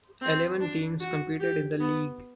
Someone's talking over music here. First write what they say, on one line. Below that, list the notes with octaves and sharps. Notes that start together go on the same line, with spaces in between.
Eleven teams competed in the league.
C4
D4
F#4
G4
B3